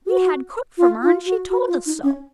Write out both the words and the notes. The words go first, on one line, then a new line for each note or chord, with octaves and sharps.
We had cook from her, and she told us so.'
F#4
F4
F4
F#4
F#4
F4
D#4
C#4